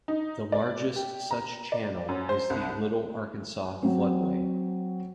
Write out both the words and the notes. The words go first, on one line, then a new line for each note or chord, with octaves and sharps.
The largest such channel is the Little Arkansas Floodway.
D#4
D5
G4
A#5
D5
F#2
C5
C2
F#3 C4